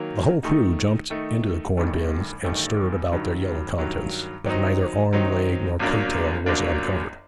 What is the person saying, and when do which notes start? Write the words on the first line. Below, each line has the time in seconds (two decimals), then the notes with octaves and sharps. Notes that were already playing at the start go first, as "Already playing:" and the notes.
The whole crew jumped into the corn-bins, and stirred about their yellow contents; but neither arm, leg, nor coat-tail was uncovered.
Already playing: D#3 F#3 A#3
0.43 D#3 A3 D#4
1.10 D#3 A3 D#4
1.77 A1 G2 D#3 A3
2.44 A1 G2 D#3 A3
3.12 G2 D#3 F#3
3.78 G2 D#3 F#3
4.45 D#3 F#3 C4 D#4
5.13 D#3 F#3 C4 D#4
5.79 G1 F#2 F#3 A#3 D4
6.46 G1 F#2 F#3 A#3 D4